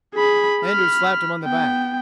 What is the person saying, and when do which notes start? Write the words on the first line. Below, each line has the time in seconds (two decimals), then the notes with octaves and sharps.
Andrews slapped him on the back.
0.15 G#4 B5
0.61 B5 F6
1.44 B3 G5